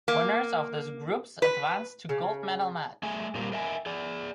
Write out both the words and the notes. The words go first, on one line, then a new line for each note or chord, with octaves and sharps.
Winners of this groups advanced to gold medal match.
A#3
B4
C#3
A3 G#4 E5 G#5
A#2 G3 A#3 C4 F4 G4
A#4 D#5 E5 G5 G#5
G#4 D5